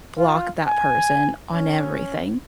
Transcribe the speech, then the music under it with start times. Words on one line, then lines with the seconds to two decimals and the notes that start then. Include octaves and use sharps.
block that person on everything,
0.17 F4
0.67 G#5
1.53 C#4